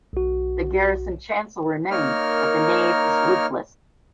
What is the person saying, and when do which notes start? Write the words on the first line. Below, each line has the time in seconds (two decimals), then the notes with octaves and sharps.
The Garrison Chancel remains, but the Nave is roofless.
0.13 B1 F#4
1.91 A#3 D#4 A#4 C#5 F6